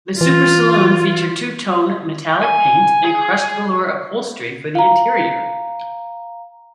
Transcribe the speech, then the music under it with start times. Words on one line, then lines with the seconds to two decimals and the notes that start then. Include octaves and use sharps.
The Super Saloon featured two-tone metallic paint and crushed velour upholstery for the interior.
0.21 E3 F4
2.44 G#5
3.05 G#4
4.75 F5 A#5